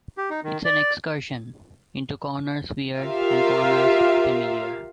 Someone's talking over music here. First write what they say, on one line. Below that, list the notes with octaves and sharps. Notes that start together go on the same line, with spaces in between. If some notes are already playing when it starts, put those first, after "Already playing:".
It's an excursion, into corners weird and corners familiar.
G4
D#4
D#3
D5
F4 G4 A#4 E5 F5